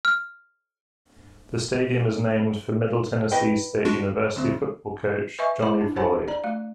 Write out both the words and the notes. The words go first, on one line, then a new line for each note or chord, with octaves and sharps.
The stadium is named for Middle Tennessee State University football coach Johnny Floyd.
F6
B4 D#5 G5
G#3 D4 F#4
D2 C4
B4 D#5 E5 G#5 C#6
E4 F5 B5 D6
D4
C5 C#5 F#5 G#5 A5 B5
D5 A#5
A3 F5